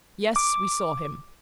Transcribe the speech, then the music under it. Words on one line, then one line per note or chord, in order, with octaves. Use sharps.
Yes, we saw him.
D6